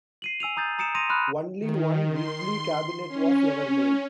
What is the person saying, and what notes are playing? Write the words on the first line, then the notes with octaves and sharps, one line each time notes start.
Only one Gridlee cabinet was ever made.
C7 D#7 F#7
G#5 E6 D#7 F7
A#5 D#6 G6 A6
A#5 D#6 C#7 D7 E7
A#5 C6 D#6 A#6 D#7 F7
B5 C6 D#6 F6 F#6
D#3
C6
C#4